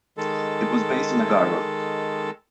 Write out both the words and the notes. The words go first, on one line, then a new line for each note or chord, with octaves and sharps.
It was based in Agaro.
D#3 G#3 A4